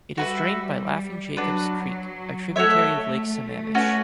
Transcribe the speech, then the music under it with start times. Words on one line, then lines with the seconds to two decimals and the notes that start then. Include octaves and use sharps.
It is drained by Laughing Jacobs Creek, a tributary of Lake Sammamish.
0.17 G3 F#4 B4 E5
1.37 F#3 D4 F#4 B4
2.56 A3 F#4 A4 C#5 E5
3.75 C#4 F#4 B4